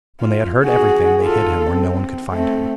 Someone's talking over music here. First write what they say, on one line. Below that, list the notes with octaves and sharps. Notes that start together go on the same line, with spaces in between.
When they had heard everything, they hid him where no one could find him.
F4
F#4 G#4
F4 A4
C4
A3 C4